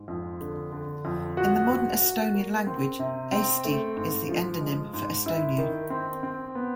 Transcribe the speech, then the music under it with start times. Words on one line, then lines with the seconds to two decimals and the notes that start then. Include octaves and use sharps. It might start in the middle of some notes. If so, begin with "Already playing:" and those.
In the modern Estonian language, "Eesti" is the endonym for "Estonia".
Already playing: G#2
0.08 F2
0.41 D3
0.72 D3
1.05 F2
1.37 F#4
1.70 F#4
2.02 F#4
2.34 A#3
2.67 C4
2.99 C3
3.32 C4
3.65 A3
3.96 G#2
4.29 F3
4.61 G#3
4.94 G#2
5.26 E4
5.58 D#3
5.90 C4
6.23 C4
6.55 B3